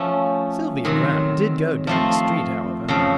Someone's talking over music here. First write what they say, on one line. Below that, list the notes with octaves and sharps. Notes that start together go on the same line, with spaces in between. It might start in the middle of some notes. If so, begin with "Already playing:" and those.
Sylvia Grant did go down the street, however.
Already playing: F3 A3 C#4 A4
C3 D#3 F#3
F3 A3 C4
F2 C#3 F3